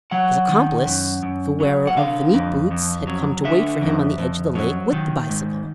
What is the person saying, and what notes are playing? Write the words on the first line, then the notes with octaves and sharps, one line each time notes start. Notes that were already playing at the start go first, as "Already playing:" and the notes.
His accomplice, the wearer of the neat boots, had come to wait for him on the edge of the lake with the bicycle.
F#3 F#5
D#3
F#2
F#2
F#3
F#5
D3 F5
F2
F2
F#3
D3 E5
F2
F2
F#3
D#3
G#2